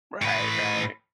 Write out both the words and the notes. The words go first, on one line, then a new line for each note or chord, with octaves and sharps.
Right, right.
A2 B4